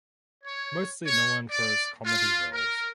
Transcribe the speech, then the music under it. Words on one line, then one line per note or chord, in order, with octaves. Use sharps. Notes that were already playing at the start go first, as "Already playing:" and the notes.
Mostly known for his comedy roles.
C#5
C#5
D5
F4
A#4